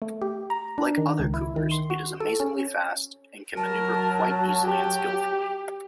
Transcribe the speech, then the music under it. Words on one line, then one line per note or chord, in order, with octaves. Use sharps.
Like other cougars, it is amazingly fast, and can maneuver quite easily and skillfully.
A3
G4
A#5
D4
D#3
C#2
E4
D#3
C6
F#4
A4
C#4
F#3 A#4 A5
G4